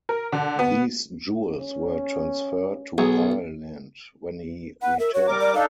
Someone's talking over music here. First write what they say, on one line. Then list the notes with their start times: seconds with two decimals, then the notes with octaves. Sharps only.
These jewels were transferred to Ireland when he returned.
0.09 A#4
0.32 D3
0.59 B3
1.60 C#4
2.98 B1 F#3 B3 G#4
4.82 B4 F#5
4.99 A#4 E5
5.14 F#4 C#5
5.27 G3 A#4 D6
5.41 D5
5.55 D4 D#4 A4 F5